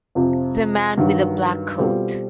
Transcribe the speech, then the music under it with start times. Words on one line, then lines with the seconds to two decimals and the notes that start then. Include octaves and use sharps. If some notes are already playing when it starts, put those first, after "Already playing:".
The man wi' the black coat.
0.15 F2 C3 F3
0.97 G2 D#3 F#3
1.78 B2 G3 C4 F4 A4